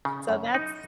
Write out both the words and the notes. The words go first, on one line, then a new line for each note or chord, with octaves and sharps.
so, that's
C#3
F#2
D#4